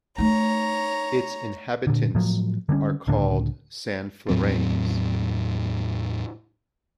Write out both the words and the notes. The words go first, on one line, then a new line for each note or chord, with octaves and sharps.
Its inhabitants are called "Sanflorains".
A3 D#4 C#5 A#5
A#2 D3
A2 F3 F#3
D3 G3 A3 C#4
C#2 A2 D3 D4
E2 A2 F#3 C4